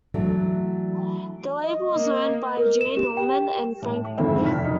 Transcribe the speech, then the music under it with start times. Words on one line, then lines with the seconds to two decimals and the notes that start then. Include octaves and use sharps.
The label was owned by Gene Norman and Frank Bull.
0.14 E3 F#3 A3 D4
1.64 D#5
1.92 A#3
2.57 A#4
2.81 E7
2.97 G4
3.17 G5
3.82 A2
4.18 F2 G#2 D3 D#3 C4 E4
4.44 F1 F6 B6
4.64 F#1 D2 D#4